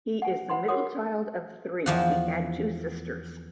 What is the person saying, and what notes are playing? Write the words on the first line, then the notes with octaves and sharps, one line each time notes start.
He is the middle child of three; he had two sisters.
F#5 G#5
C5 F#5 B5 C6
F#4 G#4 A#4 C#5 F#5 D#6
E2 F3 F#5